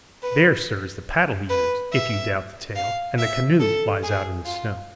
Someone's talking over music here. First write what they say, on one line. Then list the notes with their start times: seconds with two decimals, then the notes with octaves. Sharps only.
There, sir, is the paddle he used, if you doubt the tale, and the canoe lies out in the snow.
0.23 B4
1.49 B4
1.93 E5
2.76 F5
3.18 E5
3.60 A4
4.03 G#4
4.46 F4